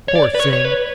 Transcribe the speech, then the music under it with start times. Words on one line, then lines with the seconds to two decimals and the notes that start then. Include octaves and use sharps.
Poor thing!
0.08 C#5
0.15 D5
0.35 B4
0.40 C#5
0.53 C#5
0.65 B4